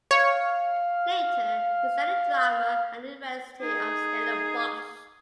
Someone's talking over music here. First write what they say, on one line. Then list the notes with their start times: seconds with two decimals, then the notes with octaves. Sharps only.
Later he studied drama at the University of Stellenbosch.
0.11 C#5 F5
3.62 D#4 G#4